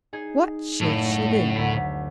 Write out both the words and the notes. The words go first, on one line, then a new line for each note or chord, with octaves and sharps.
What should she do?
D#4 G#4
F#1 A2 A3
D2 B6